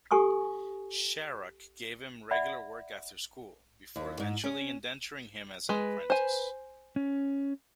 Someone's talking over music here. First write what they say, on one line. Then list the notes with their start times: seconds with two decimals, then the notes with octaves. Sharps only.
Sharrock gave him regular work after school, before eventually indenturing him as an apprentice.
0.11 G4 A4 G#5 C#6 D#6
2.31 D5 E5 F#5 B5
3.96 D#2
4.20 G#2
4.44 C#4
5.69 G#3 B4
6.10 C5 G#5
6.96 C#4